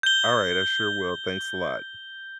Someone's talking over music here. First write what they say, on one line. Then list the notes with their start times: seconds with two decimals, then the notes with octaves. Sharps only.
Alright, I sure will, thanks a lot.
0.03 G6 G7